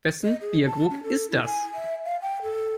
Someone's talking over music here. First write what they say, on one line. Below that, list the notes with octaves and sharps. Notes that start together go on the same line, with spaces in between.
Wessen Bierkrug ist das?
D#5
G#4
A5
C#4
A4
E4
G#5
E5
F5
G5
A4